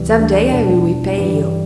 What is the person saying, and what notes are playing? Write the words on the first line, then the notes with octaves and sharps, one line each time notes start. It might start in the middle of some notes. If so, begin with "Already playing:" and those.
"Some day I will repay you."
Already playing: D2 C3 E3 G3
D4
E2 B2 G3 D4
G2 E3 G3